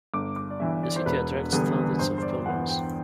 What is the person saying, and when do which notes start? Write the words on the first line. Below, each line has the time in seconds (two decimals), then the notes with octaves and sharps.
The city attracts thousands of pilgrims.
0.14 G1 D6
0.36 D6
0.50 D5
0.60 G2 E3 B3 E5
0.83 D5
0.96 C5
1.06 E1 B4
1.52 E2 D3 G3 B3
1.99 G2 C5
2.18 C5
2.22 D5
2.46 E3 B3 F#5
2.69 G5